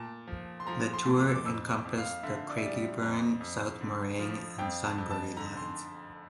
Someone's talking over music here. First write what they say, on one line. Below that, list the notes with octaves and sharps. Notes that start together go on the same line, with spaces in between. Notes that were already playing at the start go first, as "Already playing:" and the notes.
The tour encompassed the Craigieburn, South Morang and Sunbury lines.
Already playing: A#2 A5
F3
C6
F3 A#5
C6
A#2
D6
E6
D6
F2 E6
D6
F2
F5
D3 E5
D5
E5
G3 D5
E5
F2
F2
D3
F3
F2 G5
A5
F2
A5
D3 A#5
C6